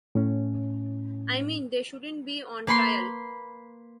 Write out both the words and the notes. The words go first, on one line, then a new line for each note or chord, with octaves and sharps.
I mean, they shouldn't be on trial.
A2 C#4
A#3 B4 B5 C6 C7